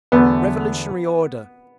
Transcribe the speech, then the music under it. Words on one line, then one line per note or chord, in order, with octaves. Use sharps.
Revolutionary order.
E2 D3 F#3 A3 B3